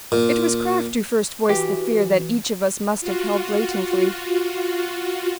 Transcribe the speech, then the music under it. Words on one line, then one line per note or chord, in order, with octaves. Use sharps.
It was Kraft who first voiced the fear that each of us must have held latently.
A#2
E3 F#4 G4
F4 F#4